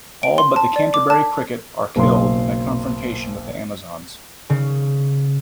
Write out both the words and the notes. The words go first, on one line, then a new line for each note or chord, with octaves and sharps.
All but the Canterbury Cricket are killed in a confrontation with the Amazons.
D7
C6
A5
D5
D6
A5
F#1 B1 C6
C#3